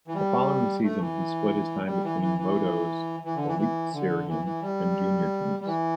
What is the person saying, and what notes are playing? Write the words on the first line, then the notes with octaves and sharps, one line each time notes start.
The following season, he split his time between Modo's Elitserien and junior teams.
E3
G3
A3
E3
G3
E3
E3
E3
E3
D3
E3
E3
D3
E3
E3
G3
G3
E3